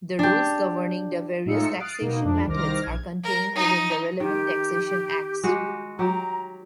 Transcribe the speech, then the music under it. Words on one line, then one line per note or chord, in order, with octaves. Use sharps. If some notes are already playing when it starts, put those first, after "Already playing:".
The rules governing the various taxation methods are contained within the relevant taxation acts.
D4 G4
A2 G#3 D#4 F4 E6 C#7
D#6 F6 F#6 A6 C7 D7
B2 A#3 D#4
F2 D4
C2 D#3 C5 D6 F6 A#6
A#1 G#6
A#4
D#4
D#3 G4
G#3 F#4
F#3 G4 A#5